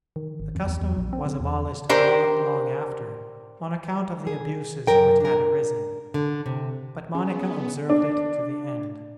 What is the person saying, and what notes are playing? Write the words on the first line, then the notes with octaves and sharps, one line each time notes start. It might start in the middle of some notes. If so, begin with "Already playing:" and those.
The custom was abolished not long after on account of the abuses which had arisen, but Monica observed it to the end.
D#3
G#1
F2
E2
E2
A#1
C4
D3
E2
D4 G4 A#4 C5
G#4
F#2 A#4 G5
D4 A#4
D3
C3
B3 C#4 G#4
D4